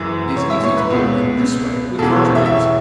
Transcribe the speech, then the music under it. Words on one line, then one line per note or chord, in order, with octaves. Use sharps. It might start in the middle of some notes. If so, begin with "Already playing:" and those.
It is easy to load in this way with cartridges.
Already playing: F#1 F#2 E3
C#5
E5
C#5
B4
C#2 B2
E1 E2 E3 A4
C#5
E5
E5
C#5